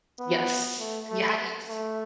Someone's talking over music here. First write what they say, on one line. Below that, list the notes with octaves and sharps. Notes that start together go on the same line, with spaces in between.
Yes. Yes!
B3
A3
A3
A3